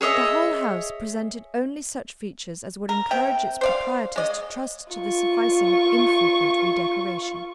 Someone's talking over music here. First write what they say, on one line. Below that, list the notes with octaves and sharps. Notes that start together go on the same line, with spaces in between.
The whole house presented only such features as would encourage its proprietors to trust to the sufficing of infrequent re-decoration.
G#4 C#5 D#5 E5
A#4
C3 G5
C5 D5 F5
G#3 D5 D#5
F4 C#6